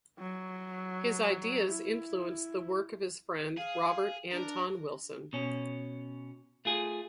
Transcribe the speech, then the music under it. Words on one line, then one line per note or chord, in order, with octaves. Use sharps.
His ideas influenced the work of his friend Robert Anton Wilson.
F#3
E4
G#4 F5
D4 A#4
B2 C#4
A3 F4 G#4